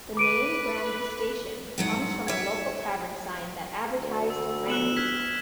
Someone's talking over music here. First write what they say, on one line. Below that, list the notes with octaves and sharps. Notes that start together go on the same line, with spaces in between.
The name Brandy Station comes from a local tavern sign that advertised brandy.
B4 D6 D7 D#7
G#2 F#3 F#5
C#5 E5
D2
E6
B3 F#6 E7 F#7
F6 G#6 B6